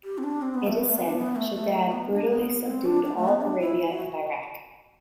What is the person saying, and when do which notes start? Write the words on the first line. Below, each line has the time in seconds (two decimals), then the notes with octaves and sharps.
It is said Shaddad brutally subdued all Arabia and Iraq.
0.04 G4
0.18 C4
0.23 D4
0.42 C4
0.55 B3
0.67 A3
0.79 B3
0.89 A3
0.98 B3
1.07 D4
1.17 B3
1.36 A3
1.54 A3
1.92 B3
2.10 D4
2.29 B3
2.67 C4
2.85 D4
3.04 D4
3.16 A3
3.28 B3
3.42 D4
3.60 E4
3.91 F#4